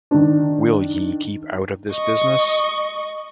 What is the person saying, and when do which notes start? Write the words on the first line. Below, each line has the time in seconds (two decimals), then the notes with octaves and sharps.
Will ye keep out of this business?
0.11 D#3 D4
1.93 D#5 C#6